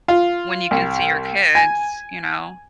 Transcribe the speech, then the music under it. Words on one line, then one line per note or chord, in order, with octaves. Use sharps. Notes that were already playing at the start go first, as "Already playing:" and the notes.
when you can see your kids, you know?
F4
C2
G#5